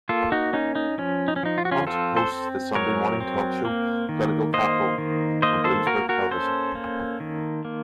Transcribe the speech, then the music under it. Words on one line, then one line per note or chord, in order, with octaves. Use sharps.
Hunt hosts the Sunday morning talk show "Political Capital" on Bloomberg Television.
A#3 F4 A4
D#4 F#4
C#4 D#4
D#4
F3 C#4
D#4
C#4
F3 D#4
F4
F#4
C#4 F4
C4 F4 A4
A4 C5
C4
F#3 A#4 C#5
C4
A#3
D#3
A#3 C5 D#5
D#3
A#3 C5 D#5
A4 C5
A#3 F#4 A#4
F#4 A#4
C#4 A4 C5
A#3
D#3
A#3